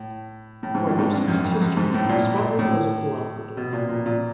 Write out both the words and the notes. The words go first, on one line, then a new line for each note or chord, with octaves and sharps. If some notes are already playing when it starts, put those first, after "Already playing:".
For most of its history, Spartan was a cooperative.
Already playing: A2
A2
G#2
G2
G#2
G2
F#2
F2
F#2
G#2
A2
A#2
A2
B2
A#2
A#2
A#2